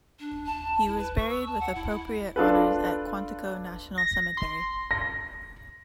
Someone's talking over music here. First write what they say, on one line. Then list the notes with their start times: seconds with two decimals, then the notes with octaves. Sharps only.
He was buried with appropriate honors at Quantico National Cemetery.
0.19 D4
0.46 A5
0.86 E4
0.98 B4
1.17 C#6
1.29 E6
1.46 A5
1.60 F#5
1.75 E4
1.89 E4
2.36 D4 F4 A4 B4
3.98 A#6
4.37 C6
4.91 A#6